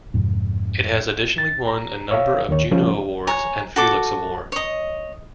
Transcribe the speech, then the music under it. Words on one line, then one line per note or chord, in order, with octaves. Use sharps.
It has additionally won a number of Juno Awards and Felix Awards.
F2 G#2 C3
A6
A#5
C#5 E5 F5
D#2 D#3 C#5
C#3 F3 G3 A3 C#4
C#5 G#5 A#5
F#4 A4 D6
C#5 D#5